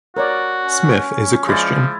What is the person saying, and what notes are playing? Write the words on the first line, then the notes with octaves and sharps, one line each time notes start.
Smith is a Christian.
F#4 A#4 C#5 D5
C#4
F3 G#3 E4 D5